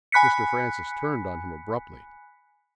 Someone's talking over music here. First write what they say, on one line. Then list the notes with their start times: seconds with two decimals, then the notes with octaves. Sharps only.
Mr. Francis turned on him abruptly.
0.12 G#5 B5 F#6 B6 C#7